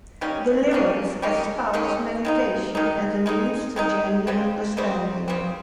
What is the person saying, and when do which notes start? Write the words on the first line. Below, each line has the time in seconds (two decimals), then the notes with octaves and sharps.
The lyrics espouse meditation as a means to genuine understanding.
0.21 D#3 G3 A#3 C#4
0.71 D#3 G3 A#3 C#4
1.22 D#3 G3 A#3 C#4
1.73 D#3 G3 A#3 C#4
2.25 D#3 G#3 D#4
2.75 D#3 G#3 D#4
3.26 D#3 G#3 D#4
3.76 D#3 G#3 D#4
4.27 C#3 G3 C4
4.77 C#3 G3 C4
5.28 C#3 G3 C4